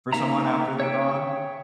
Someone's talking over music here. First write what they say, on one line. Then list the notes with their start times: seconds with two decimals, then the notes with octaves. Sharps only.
for someone after they're gone,
0.13 A#3 D#4 E5 A#5
0.80 C#5 E5 G5